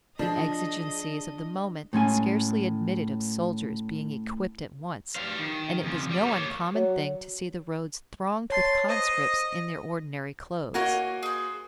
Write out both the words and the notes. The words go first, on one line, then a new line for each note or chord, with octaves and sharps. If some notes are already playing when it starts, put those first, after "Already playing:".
The exigencies of the moment scarcely admitted of soldiers being equipped at once, and it was no uncommon thing to see the roads thronged with conscripts in their ordinary clothes.
F3 D4 G#4 D#5
A2 G#3 C#4 G#5
G3 F5
D#3
F2 C#3
G3
A#3 C#5
F#3
C#5 A5 C6 A6
C5 D#5
A#3 F#4 C#5 D#5 G#5
G#4 C5